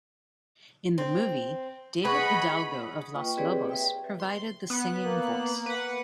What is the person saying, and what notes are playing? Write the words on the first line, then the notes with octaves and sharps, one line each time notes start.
In the movie David Hidalgo of Los Lobos provided the singing voice.
C4
G#4 B4 D#5 F#5 B5 C#6
D#6
A#3 F4 B4 D#5 G5 C#6
C4 G4 G#4 B4 C#5 D5
B4 E5 G5
C6
B3 F#6
A#3
B4 F#5